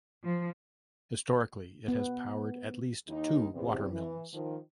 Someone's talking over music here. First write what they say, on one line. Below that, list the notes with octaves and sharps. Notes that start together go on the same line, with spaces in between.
Historically is has powered at least two watermills.
F3
B3
D#2 D#4
E2 C3
E3
D#3 F3